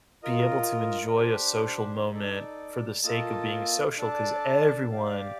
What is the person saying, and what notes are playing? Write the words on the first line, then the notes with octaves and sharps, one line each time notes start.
be able to enjoy a social moment for the sake of being social 'cause everyone
F4 A#4 D#5
D4 G4 C5
D#4 A4 D5
A#3 F4 A4 D#5 A5
D4 A4 D5 A5
G4 D5 F5